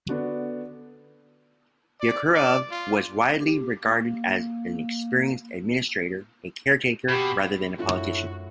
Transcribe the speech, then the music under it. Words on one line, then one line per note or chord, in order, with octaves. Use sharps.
Yekhanurov was widely regarded as an experienced administrator, a caretaker rather than a politician.
D3 B3 D4 F#4
D5
D5
F4
G4
A#3
B2 G4 B5
F#2 A2 D4 F4 F#4